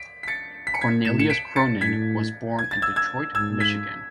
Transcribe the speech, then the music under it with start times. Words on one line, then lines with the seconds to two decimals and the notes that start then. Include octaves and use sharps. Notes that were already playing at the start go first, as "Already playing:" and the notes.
Cornelius Cronin was born in Detroit, Michigan.
Already playing: B6 D7
0.23 B6
0.28 A6 C#7
0.67 B6
0.74 C#7
0.81 G#6 B6
1.05 A2 E7
1.19 C#7 E7
1.30 B6 D7
1.56 A6 C#7
1.81 A2 G#6 B6
2.59 G#6
2.71 A6
2.82 E6 G#6
2.96 E6 G#6
3.35 G#2 E6 G#6
3.60 G#6 B6